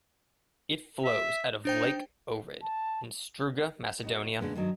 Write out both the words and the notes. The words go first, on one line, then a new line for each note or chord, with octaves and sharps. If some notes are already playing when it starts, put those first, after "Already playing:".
It flows out of Lake Ohrid in Struga, Macedonia.
E5
D4 D#4 C5 G5
A5
B3 D#4 F#4
A#2 D3 G#3 B3 C#4
G2 D#3 F#3